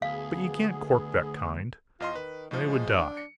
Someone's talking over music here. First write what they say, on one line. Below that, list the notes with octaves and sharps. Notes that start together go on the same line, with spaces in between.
But you can't cork that kind; they would die.
D2 B3 G#4 F5
E2 F4 D#5 C6
D#3 B4
A2 F3 D#4
G#3
D4
C#7